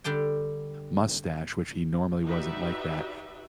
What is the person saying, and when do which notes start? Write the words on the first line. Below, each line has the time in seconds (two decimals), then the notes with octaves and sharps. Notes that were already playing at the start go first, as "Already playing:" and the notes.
mustache, which he normally wasn't like that,
0.04 D3 G3 G4 G5
2.26 D#4 F#4 G4 B4 D5 E5